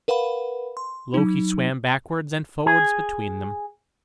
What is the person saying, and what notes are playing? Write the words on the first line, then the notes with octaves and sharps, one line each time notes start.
Loki swam backwards and forwards between them.
A#4 B4 F5 F#5 B5
C6
F#3 D#4
G#4